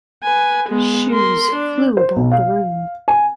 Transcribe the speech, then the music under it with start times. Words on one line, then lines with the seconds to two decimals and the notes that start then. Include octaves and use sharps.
Shoes flew about the room.
0.23 B4 G#5
0.69 G#3 B3
1.10 A#4 C6
1.52 D4
1.97 C5
2.16 B1
2.31 F5
3.08 G#5